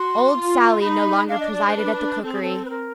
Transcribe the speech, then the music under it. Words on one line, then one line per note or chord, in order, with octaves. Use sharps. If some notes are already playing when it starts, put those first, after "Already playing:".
Old Sally no longer presided at the cookery.
Already playing: F#4 C6
F4
C#6
C6
D#4 B5
D4 F5
D#5
D5
C5
B4
C4 A4
G#4
A4
B4
A#4